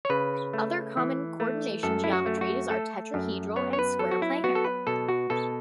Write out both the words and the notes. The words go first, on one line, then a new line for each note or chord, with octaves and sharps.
Other common coordination geometries are tetrahedral and square planar.
C#5
C#3 B4
A3
E3
A3
F#2 A4
E4
F#4
A3
F#4
A3 A4
F#2
B3 C#5
C#5
B4
F#3 A4
F#4
E4
B3 F#4
A4
B4
B2 A4
F#4
B2 A4